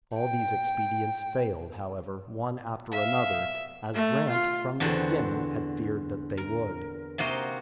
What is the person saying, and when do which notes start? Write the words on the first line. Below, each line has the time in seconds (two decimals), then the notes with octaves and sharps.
All these expedients failed, however, one after another, as Grant, from the beginning, had feared that they would.
0.16 G5
2.92 E5 F5
3.94 A3
4.29 F4
4.80 E2 D3 C4 F#4
6.37 A#4
7.18 C3 A#3 F#4 D#5 C6